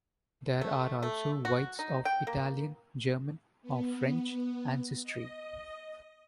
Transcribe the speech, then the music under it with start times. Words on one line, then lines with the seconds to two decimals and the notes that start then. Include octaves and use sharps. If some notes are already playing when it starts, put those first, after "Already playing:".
There are also whites of Italian, German, or French ancestry.
0.61 A3
1.03 A3
1.45 F#4
1.79 D#4
2.05 G5
2.27 A#3
3.62 B3
5.03 D#5